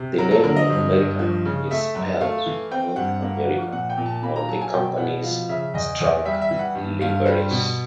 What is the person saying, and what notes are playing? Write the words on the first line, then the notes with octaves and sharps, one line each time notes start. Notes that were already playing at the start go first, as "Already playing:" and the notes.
The name North American is spelled "NorthAmerican" on the company's trucks' liveries.
Already playing: C3
F#3 A#4
A4
D3 A#4
D#5
G2
G2
F3
C#3
A3 E5
F#2
A3 F5
E3
C4 G5
G2 F#5
A#3
F3
A#2 F#5
G5
A#2
A5
A#3 B5
A#5
F#3 A5
G#5
B2 G5
B2 F#5
F3 F5
C#3 E5
E2 D#5
E2
G3 E5
E5
E3
F#5
G2
G2 F5
G3 C5
B2